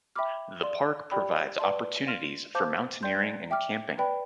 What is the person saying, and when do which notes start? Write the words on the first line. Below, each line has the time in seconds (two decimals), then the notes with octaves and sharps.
The park provides opportunities for mountaineering and camping.
0.16 E5 G5 B5 D6 F6
0.63 D5 F5 C6
1.11 G4 D5 G5 B5
1.59 B4 D5 A5 C6
2.07 F5 C6 F6
2.55 C5 F5 A5 D6 G6
3.03 D5 G5 C6 G6
3.50 E5 G5 D6 F6
3.98 B4 D5 G5 B5